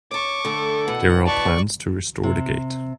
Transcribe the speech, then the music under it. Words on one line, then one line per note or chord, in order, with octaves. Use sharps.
There are plans to restore the gate.
C#5 A5 C#6 D6
D3 A3 A4
E2 B2 F#5
B4 D5 A5 C#6
C3